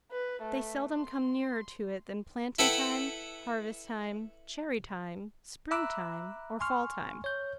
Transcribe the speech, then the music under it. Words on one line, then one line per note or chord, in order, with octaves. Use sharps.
They seldom come nearer to it than planting-time, harvest-time, cherry-time, spring-time, or fall-time.
B4
A3
C6
E4 A4 B4 F#5 G5
E5 A#5 B5 D6 E6 F#6
G#5 C6 C#6 F6
C#5 G6